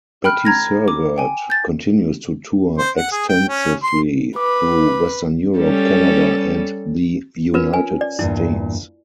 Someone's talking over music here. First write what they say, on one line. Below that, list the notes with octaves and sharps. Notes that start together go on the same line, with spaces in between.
Bettie Serveert continues to tour extensively through Western Europe, Canada and the United States.
G5 B5 F6 F#6
A#5 G#6 A#6
D6
G5 G#5
G6 A6
C5
F#5
G#4
G5
C#4
C6
B4 D6
G3 C#4 A4
C#4 F4 A#4 B4
B4 G#5
D5
E2 G2 A#2 E4